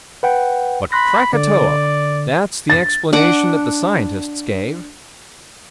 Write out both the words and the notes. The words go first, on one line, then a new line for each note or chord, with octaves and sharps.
But Krakatoa: that's the explanation that the scientists gave.
B4 F#5 G5
B5 C6 F#6 A#6
D3 D5
A6
D4 F#5 D6